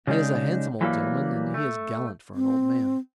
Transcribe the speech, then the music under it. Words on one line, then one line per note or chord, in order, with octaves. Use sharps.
"He is a handsome old gentleman, and he is gallant for an old man."
C#3 G3 G#3 D4 D#4
E3 F#3 G3 A#3
A3
C4